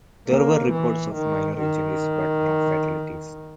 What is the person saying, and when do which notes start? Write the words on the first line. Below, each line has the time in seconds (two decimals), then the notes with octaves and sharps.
There were reports of minor injuries but no fatalities.
0.28 A#3
0.72 E3
1.14 D#3
1.58 D#3